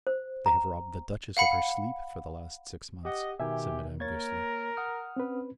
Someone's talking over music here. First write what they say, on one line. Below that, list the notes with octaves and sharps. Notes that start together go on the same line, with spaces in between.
"They have robbed the Duchess of her sleep for the last six months," said Madame Goesler.
C5
A#5
F5 F#5 B5 C#7
G4 D#5 F#5
B2 D#3 G4 E5 G#5
A#3 A#4 C#5 G#6 A6
F#5 D#6 F6
C4 C#4 B4